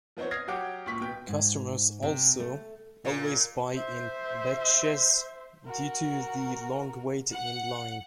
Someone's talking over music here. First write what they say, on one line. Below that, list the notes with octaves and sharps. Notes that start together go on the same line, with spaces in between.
Customers also always buy in batches due to the long wait in line.
F3 B3 C4 D#4 C#5
D#6 F6 G#6 A#6 C7
F#3 G4 F#5 G5 D6
C#2 A#2 C#6 B6
B2 G5
G#2
C3
A3
A#2
C5 E5
F#4 A#4
F#5